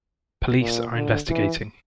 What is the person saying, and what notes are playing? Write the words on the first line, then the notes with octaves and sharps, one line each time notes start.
Police are investigating.
A#2
D3
E3